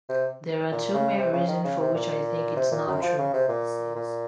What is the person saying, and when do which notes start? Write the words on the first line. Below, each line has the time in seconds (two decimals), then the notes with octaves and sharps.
"There are two main reason for which I think it's not true," he says.
0.09 C3
0.71 A#2
0.94 C#3
1.18 C3
1.33 C#3
1.48 D#3
1.64 C#3
1.80 C3
1.94 A#2
2.56 C3
2.72 A#2
2.87 F#2
3.02 F3
3.19 C#3
3.34 C3
3.48 A#2
3.96 A#2